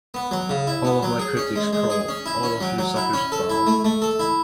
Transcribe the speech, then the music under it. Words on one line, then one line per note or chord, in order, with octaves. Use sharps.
All of my critics crawl... All of you suckers bow...
B3
F#3
C#3
E4
B3
F#3
G#4
C#4
G#3
G#3
G#4
C#4
E4
C#4
F#3
F#3
E4
C#4
A4
E4
A3
A3
A4
E4